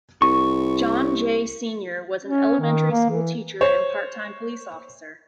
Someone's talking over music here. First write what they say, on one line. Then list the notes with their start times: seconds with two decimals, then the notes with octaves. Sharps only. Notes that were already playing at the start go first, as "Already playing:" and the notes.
John J. Senior was an elementary school teacher and part-time police officer.
0.22 C2 C#6
2.24 C#4
2.60 D#3
2.91 A#3
3.10 E3
3.61 C5 C#5